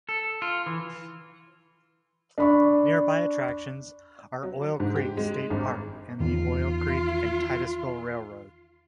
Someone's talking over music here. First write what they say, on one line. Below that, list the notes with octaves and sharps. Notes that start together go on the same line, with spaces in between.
Nearby attractions are Oil Creek State Park and the Oil Creek and Titusville Railroad.
A4
F4
E3
D4 B5 C#6
F#3
G#2
G4
G#3
G#1
E2 D#3 F4